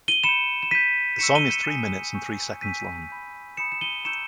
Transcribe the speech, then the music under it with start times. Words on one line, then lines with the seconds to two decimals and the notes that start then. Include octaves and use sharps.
The song is three minutes and three seconds long.
0.08 D#7 G7
0.24 B5 G6 C#7 E7
0.63 E7
0.71 B5 G6 B6 D#7
1.19 A#5 C#6 E6 C#7 E7
1.35 D#7 G7
1.51 C#7 E7
1.67 G#5 D#6 G6
2.14 G#5 C#6 E6 G6
2.62 G#5 C#6 E6 G6 B6 D#7
3.09 B5 G6
3.57 B5 D#6 G6 C#7 E7
3.72 E7
3.81 D#7 G7
4.05 A#5 C#6 E6 G6 C#7 E7